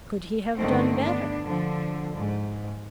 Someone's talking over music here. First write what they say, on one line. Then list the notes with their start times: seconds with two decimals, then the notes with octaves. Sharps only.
Could he have done better?
0.56 G2 D3 D#3 A3 A#3 C4
1.02 B3 D4
1.45 D3 F3
2.17 G#2